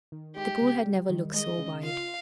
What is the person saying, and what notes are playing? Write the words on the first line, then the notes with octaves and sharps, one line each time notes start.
The pool had never looked so wide.
D#3
G#3 G4
C#3
G3
D#3
G#3 D#5
C#3
F4 F5